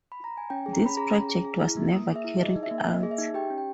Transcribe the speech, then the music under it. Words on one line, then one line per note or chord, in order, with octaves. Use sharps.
This project was never carried out.
B5
A#5
G#5
C#4 G5
G#4
A#5
C#4 B5
G#4 A#5
C#4
G#4
G#4
E4
A#3
A#3 D#6
G#4
E5
E4
G#4 D#5
D#4
E5
A#3
A#3 D#5
G#4
E5
D#4
G4 G5
C#4
G5